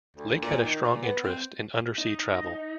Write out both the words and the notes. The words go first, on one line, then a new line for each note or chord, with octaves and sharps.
Lake had a strong interest in undersea travel.
D2
A#2
D#3
A#2
B3
C4
D#4